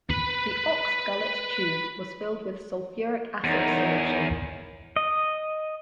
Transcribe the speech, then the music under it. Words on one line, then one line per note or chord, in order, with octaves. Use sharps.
The ox-gullet tube was filled with sulfuric acid solution.
B4 B5
E2 D#4 A#4 C#5
D#5